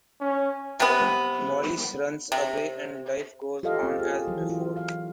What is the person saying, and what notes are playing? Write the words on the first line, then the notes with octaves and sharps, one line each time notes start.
Maurice runs away and life goes on as before.
C#4
C3 B3
C3
F4 G4 A4 D#5 F5
C4
F4 G#4
E3 F#3
F4
F5